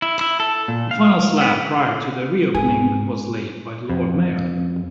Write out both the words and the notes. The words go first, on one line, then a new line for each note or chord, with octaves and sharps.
The final slab prior to the reopening was laid by the Lord Mayor.
E4
E4
A4
A#2
F5
B3
G#2 G#4
F2